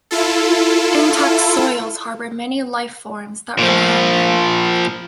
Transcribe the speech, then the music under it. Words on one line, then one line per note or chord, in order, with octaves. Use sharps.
Intact soils harbor many life-forms that rely on them.
E4 F4 A4
A#2 F3